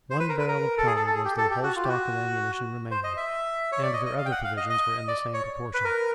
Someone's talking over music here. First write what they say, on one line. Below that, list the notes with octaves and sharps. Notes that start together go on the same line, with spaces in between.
One barrel of powder was their whole stock of ammunition remaining; and their other provisions were in the same proportion.
C5
B4
A#4
B4
A#4
A4
G#4
A4
A4
G#4
G4
A4
G4
F#4
F4
G4
F#4
C5
D#5
E5
C#5
D5
D#5
D#5
F5
G5
F#5
F5
D#5
D#5
D5
C#5
B4
A#4